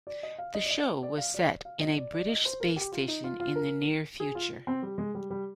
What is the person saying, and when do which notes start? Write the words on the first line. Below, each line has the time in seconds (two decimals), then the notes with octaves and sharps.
The show was set in a British space station in the near future.
0.07 D5
0.23 D#5
0.38 F5
0.54 D#5
0.66 D5
0.70 D#5
1.03 D5
1.18 F5
1.34 D5
1.65 F5
1.81 D#5
1.98 D5
2.14 D5
2.29 D#5
2.45 C5
2.60 A#4
2.76 G4
2.92 F4
3.08 D#4
3.24 F4
3.40 F4
3.55 A#4
4.20 G#4
4.35 F4
4.67 C4
4.82 G3
4.98 G#3
5.15 G3
5.30 G3